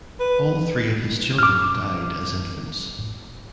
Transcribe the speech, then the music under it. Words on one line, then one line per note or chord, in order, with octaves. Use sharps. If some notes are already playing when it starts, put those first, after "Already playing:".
All three of his children died as infants.
B4
D6 F6